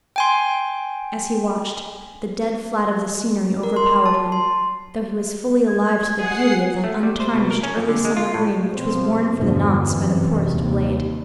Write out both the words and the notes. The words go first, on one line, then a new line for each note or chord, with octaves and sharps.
As he watched, the dead flat of the scenery overpowered him, though he was fully alive to the beauty of that untarnished early summer green which was worn for the nonce by the poorest blade.
G5 G#5 C6
A#4
C6
A5
C6
G#6
G#4 F#5 C7
A3
G3
C5
B2
A#4
C#4
F2
D3
G#3
F4
A2
B2 F3 C4
E2 G2 B2 D3 F3
F#2 C3 E3 G3
D#2 C3